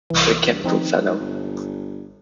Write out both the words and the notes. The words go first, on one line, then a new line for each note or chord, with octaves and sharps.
A capital fellow!
C2 E3
G2
D#3 F3 C4 D#4
G#2
G1